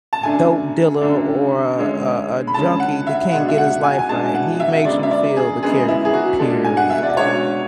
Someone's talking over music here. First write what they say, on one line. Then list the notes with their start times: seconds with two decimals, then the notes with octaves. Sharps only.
dope dealer, or a a a junkie that can't get his life right. He makes you feel the character, period.
0.13 A5
0.23 F#2 D3 A3 D4 G#5
1.01 F#2 D3 A3 D4
1.78 D3 G#3 C#4
2.47 B5
2.54 D3 G#3 C#4 A5
2.80 F#5
3.07 E5
3.31 B2 G#3 D4 F#5
3.48 E5
3.58 F#5
3.83 G#5
3.99 G#5
4.09 B2 G#3 D4 A5
4.35 F#5
4.60 E5
4.85 F#2 D3 G#3 B3 D5
5.03 E5
5.11 D5
5.37 G#4
5.62 F#2 D3 G#3 B3 G#4
5.88 E4
6.05 G#4
6.14 F#4
6.39 B2 G#3 D4 A4
6.64 G#5
6.77 F#5
6.90 E5
7.03 D5
7.17 B2 G#3 D4 C#5